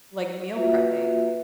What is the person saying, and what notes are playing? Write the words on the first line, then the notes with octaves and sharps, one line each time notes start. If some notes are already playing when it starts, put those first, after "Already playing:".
Like, meal prepping.
A#3 F4 F#4 B4 E5